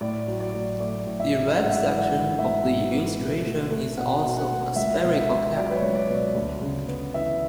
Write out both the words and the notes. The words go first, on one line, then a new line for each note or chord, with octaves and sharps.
The red section of the illustration is also a spherical cap.
A2 D5
F#3
D5
A2
A3 D5
A2
E5
F#3
G#2 F#5
E5
D5
E3 E5
F#5
G#2
A3 E5
G#2
E3
B2
A3
A3
B2 F#5
B2
F#5
A3
C#2 E5
B2
E5
B3
F#3 D5
B4
C#5
C#2
D5
B2
D5
D2
C#3
B3
E3 E5